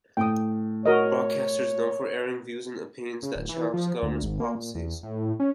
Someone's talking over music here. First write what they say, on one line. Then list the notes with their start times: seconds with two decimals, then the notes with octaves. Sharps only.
The broadcaster is known for airing views and opinions that challenge the government's policies.
0.17 A2 G5 D#6
0.86 F#4 A#4 C#5 D#5
3.23 C#3
3.35 D1
3.49 E3
3.74 F3
4.03 D2
4.23 G#1
4.40 A#3
4.55 A#2
4.75 E2
5.03 A2
5.40 C#4